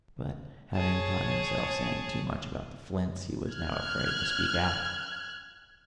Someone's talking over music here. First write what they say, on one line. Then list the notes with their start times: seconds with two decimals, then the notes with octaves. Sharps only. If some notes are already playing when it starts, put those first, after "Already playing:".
But having caught himself saying too much about the flints, he was now afraid to speak out.
0.76 G#4 C#5 A5
3.51 F6 F#6 G#6